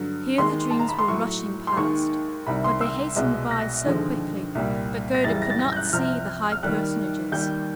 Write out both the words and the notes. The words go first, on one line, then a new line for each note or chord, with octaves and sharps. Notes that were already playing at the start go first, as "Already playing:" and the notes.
Here the dreams were rushing past, but they hastened by so quickly that Gerda could not see the high personages.
Already playing: G2 D3 F#3
D#2 D#3 G#3 C6
A5
A#5
B5
C6
A2 F#3 C#6
C6
D#2 D#3 G#3 C#6
C2 C3 D#3 G3 B5
C6
E6
C2 B2 G#3
A#6
D#2 D3 F3 G#3
C2 A#2 G3
A#6
F#2 C#3 E3 G3 A6
A6
A#6
A6
A#6
G6
F#6
C2 C3 F3 F6
F6
D#2 D#3 G3 F#6
D#2 D#3 G3 G6